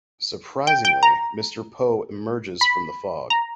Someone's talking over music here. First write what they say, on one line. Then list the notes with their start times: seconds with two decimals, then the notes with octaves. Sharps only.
Surprisingly, Mr. Poe emerges from the fog.
0.67 G5
0.85 G5
1.03 A#5
2.61 B5
3.30 A#5